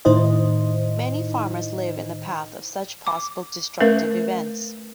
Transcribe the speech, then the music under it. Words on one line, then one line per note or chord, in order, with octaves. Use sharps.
Many farmers live in the paths of such possible destructive events.
A2 D#3 D#4 E4 C5 D#5
D6
A3 C#4 A#4 B4 E5